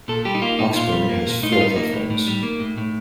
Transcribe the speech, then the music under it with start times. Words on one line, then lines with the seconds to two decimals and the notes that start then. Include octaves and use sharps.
Hawksburn has four platforms.
0.08 A#2 A4
0.25 G3 G4
0.35 D#4
0.42 A#3 F4
0.59 A#2 D#4
0.75 A#2 F4
0.92 G3
1.09 A#3
1.26 A#2
1.42 A2 D#4
1.52 F4
1.60 G3 D#4
1.76 A#3
1.93 A2
2.10 A2
2.27 G3
2.43 A#3
2.60 A2
2.78 A2